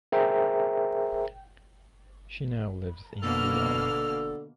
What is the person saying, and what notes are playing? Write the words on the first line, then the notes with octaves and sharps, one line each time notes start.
She now lives in Lyon.
G#4 A#4 C5 E5 G5 A#5
B2 D3 A#3 A4 F6